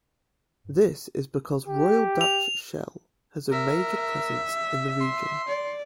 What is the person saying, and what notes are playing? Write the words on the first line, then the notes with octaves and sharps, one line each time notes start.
This is because Royal Dutch Shell has a major presence in the region.
G4
F7
A#4 E5
C6
D5